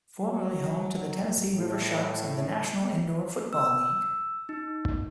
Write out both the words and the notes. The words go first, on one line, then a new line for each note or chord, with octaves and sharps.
Formerly home to the Tennessee River Sharks of the National Indoor Football League.
F#3
A2
E6
D#4